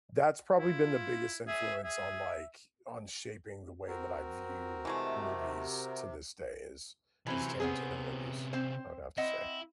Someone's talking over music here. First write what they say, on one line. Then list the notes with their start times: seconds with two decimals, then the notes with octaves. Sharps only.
that's probably been the biggest influence on, like, on shaping the way that I view movies to this day is is Tarantino movies, I would have to say.
0.58 E4 F4
1.47 G#4 E5
1.84 G#4 E5
3.88 C4 F#4 A#4
4.85 C3 E3 G#3 A3
7.27 C3 E3 F#3 C4 C#4
7.60 B3 C4 G#4
8.53 C4 C5
9.18 C4 E4 D#5 F#5